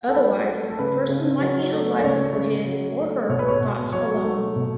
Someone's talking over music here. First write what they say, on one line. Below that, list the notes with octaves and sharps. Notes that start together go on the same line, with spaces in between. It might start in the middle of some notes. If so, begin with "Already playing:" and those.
Otherwise, a person might be held liable for his or her thoughts alone.
A4
F#3 B4
A3
A4
C#3 B4
C#3
F#3
A3
D5
C#3 C#5
C#3
F#3
A3
B2 C#5
B4
C#5
B2
F#3 C#5
A3
B2